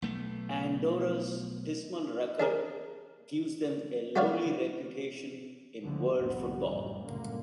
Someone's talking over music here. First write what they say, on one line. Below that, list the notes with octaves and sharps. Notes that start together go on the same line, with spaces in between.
Andorra's dismal record gives them a lowly reputation in world football.
B1 A3 B3
D4 G#4 A#4
F#4 G4 B4 C#5 D5 F5
C#2 D3 F3 A3 B3
C2 F2 A2 D3 B3
F#2 A2 E3 G3
C#2 G2 A#2 D3 A#3